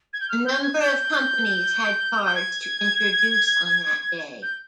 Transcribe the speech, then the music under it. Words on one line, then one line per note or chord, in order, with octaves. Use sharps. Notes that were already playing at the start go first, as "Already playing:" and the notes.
A number of companies had cards to introduce on that day.
G#6
G6
F6
G6
G#6
G6
G6
G#6
G6